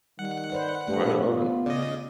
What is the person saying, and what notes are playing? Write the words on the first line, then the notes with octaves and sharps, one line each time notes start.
Right on.
D#3 G3 F#5
B4 C5 D5
G2 A3 G4 B4
B3 F4
C#3 D5 D#5